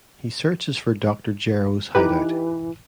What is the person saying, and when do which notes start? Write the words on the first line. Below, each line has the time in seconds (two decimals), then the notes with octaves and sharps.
He searches for Doctor Gero's hideout.
1.95 E3 D#4 G4 B4